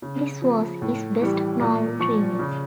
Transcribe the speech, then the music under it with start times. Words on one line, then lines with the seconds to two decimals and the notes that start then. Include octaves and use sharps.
This was his best-known remix.
0.02 C#3
0.42 F3
0.82 A2
1.22 E3 G3
1.61 A#2
1.99 F3 C#6
2.39 C#3